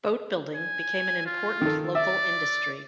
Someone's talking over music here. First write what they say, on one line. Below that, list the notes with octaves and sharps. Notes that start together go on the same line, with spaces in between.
Boat building became an important local industry.
G#5
F4
D#3 A4
D5 E5